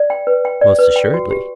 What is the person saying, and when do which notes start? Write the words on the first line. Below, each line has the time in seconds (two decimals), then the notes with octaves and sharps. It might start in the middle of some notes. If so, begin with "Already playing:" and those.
Most assuredly.
Already playing: D5
0.10 G5
0.27 B4
0.45 G5
0.61 D5
0.79 B4
0.96 G5
1.14 F#4
1.31 G4